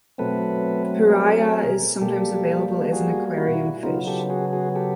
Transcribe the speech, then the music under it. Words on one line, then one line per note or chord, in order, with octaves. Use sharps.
The piraya is sometimes available as an aquarium fish.
B2 F#3 A3 C4 A4 B4
G#4 A#4
B2 G3 A#3 G4 A4
F#4 G#4
E4 F#4
C#3 F#3 B3 D#4 F4
G4 A4
F#4 G#4
F#4 G#4
G4 A4